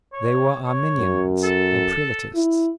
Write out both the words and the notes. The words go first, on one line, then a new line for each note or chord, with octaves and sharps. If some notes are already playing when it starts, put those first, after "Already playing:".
They were Arminians and Prelatists.
C#5
C#5
F#2
A4
E4